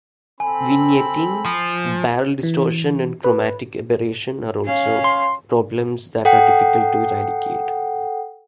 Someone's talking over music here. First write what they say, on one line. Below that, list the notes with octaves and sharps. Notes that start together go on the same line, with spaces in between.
Vignetting, barrel distortion and chromatic aberration are also problems that are difficult to eradicate.
C4 A4 G#5 B5
F3
E3
B4
C#4 F5
C6
A4 F#5 G5